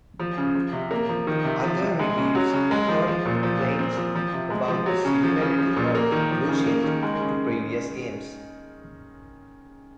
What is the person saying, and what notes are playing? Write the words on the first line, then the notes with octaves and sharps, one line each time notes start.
Other reviews echoed complaints about the similarity of "Blue Shift" to previous games.
F3
C#3
F3
C3
A#3
F3
D#3
C3
F3
C3
G#3
C#3
F#3
C#3
G#3
F3
F3
A#2
F3
A#2
C4
F3
F3
C3
G#3
F3
F#3
C#3
F3
C#3
F3
A#2
A#3
D#3
F3
C#3
A#3
D#3
G#3
C#3